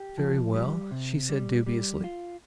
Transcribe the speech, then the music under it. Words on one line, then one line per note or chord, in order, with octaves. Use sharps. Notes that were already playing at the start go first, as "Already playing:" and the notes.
"Very well," she said dubiously.
Already playing: G4
F3
G3
C3
G3
G3
F4